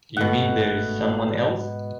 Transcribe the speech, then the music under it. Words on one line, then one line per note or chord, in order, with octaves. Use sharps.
You mean there's someone else?
G1 G#2 B2 A3 F#5